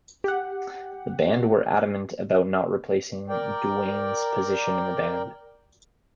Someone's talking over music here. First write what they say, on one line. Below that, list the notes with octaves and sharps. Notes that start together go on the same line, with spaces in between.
The band were adamant about not replacing Duane's position in the band.
G4 F#5
A#4 D5 G5